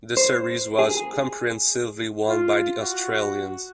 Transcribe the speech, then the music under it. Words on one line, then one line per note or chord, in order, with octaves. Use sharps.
The series was comprehensively won by the Australians.
C5
G#4
F4
F#4